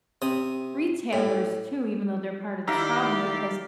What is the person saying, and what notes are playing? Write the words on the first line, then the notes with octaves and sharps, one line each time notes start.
retailers, too, even though they're part of the problem because
C3 D#6
A2
D#3 D#4 E4 G4 D5 E5 F5 A#5